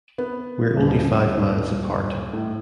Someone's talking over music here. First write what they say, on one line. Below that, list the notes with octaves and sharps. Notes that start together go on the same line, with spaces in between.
We're only five miles apart.
B3
D#1
A2